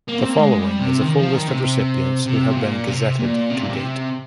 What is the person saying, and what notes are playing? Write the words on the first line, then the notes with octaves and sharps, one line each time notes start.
The following is a full list of recipients who have been Gazetted to date.
A#3
C4
A#3
G#3
G3
C3
D#3
F3
D#3
C3
C3
C3
A#2
C3
A#2
C3
A#2
C3